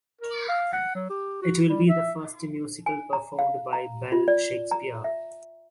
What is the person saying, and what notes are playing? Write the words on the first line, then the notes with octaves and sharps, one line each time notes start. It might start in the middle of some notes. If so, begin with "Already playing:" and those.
It will be the first musical performed by Bell Shakespeare.
A#4
F5
F#5
F#3
G4
F#4
G3
E5
G#5
A#5
F5
A#5
F4
D5
A#5
E5